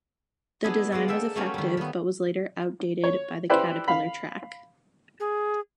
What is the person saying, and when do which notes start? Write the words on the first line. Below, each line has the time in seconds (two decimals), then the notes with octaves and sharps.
The design was effective but was later outdated by the caterpillar track.
0.64 B3 D4 E4 G#4
0.92 G#3 D5 F5 F#5
1.08 A#3 A4 E5 G5
1.36 F#3 A3 A#3 C#4 F4 G4
1.54 D#3 G3
1.77 D#3 B3
3.04 C#5
3.50 E4 G4 B4 C5 D5
3.88 F5 B5
5.20 G#4